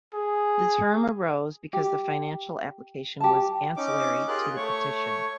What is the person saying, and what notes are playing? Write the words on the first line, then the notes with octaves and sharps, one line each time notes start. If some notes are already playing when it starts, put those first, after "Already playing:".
The term arose because the financial application was 'ancillary' to the petition.
G#4
G4
G4 A5
C#4 D#4 D6
F4 G4 G#4 A#4 F#6
A3 C#5 C#6